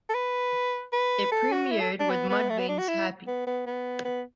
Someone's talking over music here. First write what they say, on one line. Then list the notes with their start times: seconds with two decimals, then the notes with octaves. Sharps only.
It premiered with Mudvayne's Happy?
0.09 A4
0.14 B4
0.93 B4
1.32 A4
1.52 F#4
1.71 E4
1.80 A4
2.00 D4
2.10 B3
2.29 B3
2.49 A3
2.59 B3
2.69 D4
2.79 F#4
2.88 E4
3.27 B3
3.47 B3
3.66 B3
4.05 B3